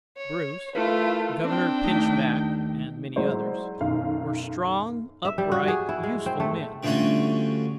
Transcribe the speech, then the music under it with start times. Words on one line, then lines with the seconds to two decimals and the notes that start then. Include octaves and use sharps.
Bruce, Governor Pinchback, and many others, were strong, upright, useful men.
0.17 C#5
0.75 A3 E4 F4 A#4 B4
1.44 C4 D4 G5
1.84 D#2 A3 D#4
3.16 F#3 G#3 E4 C5 D5
3.81 B1 F#2 D#3 F5
5.25 E5
5.38 G3
5.52 F#4
5.68 G#4
5.89 E4
6.03 G#3
6.26 C4
6.40 A3
6.83 D3 F3 G3 A3 C#4 F#4